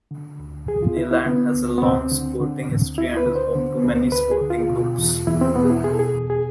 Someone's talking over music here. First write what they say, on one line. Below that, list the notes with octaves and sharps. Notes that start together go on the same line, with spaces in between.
Neyland has a long sporting history and is home to many sporting groups.
D3
D2
D2 G#4
F4
D3 E4
E4
D3 B3
D2
B3
D2 C4
D3
D3
D2
D2 E4
B4
D3
C5
D3
D2
D2 B4
G#4
D3
F4
B2
E2
E2 E4
C4
B2 B3
E4
B2 G#4
A4
G#4
E2
G#4